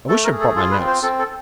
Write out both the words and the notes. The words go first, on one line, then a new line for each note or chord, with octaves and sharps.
I wish I'd brought my notes.
A3 A4
A#4
G#4
A4
F4 A4
B4
C4
C5
C4 A4
A4